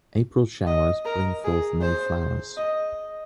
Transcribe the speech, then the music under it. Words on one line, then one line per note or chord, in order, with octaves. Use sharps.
April showers bring forth May flowers.
D#5
A#4
G#4
C5
D#5